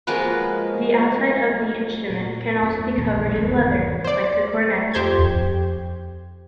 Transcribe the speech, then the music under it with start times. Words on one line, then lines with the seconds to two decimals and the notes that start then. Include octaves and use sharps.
The outside of the instrument can also be covered in leather, like the cornett.
0.07 F3 G#3 A#3 F#4 B4
2.10 A#2
2.63 F2
2.97 A#1 D#2 C#3
3.35 F1 E2 G#2 D#3
4.04 C5 D5
4.94 F2 G4 C5 G6 G#6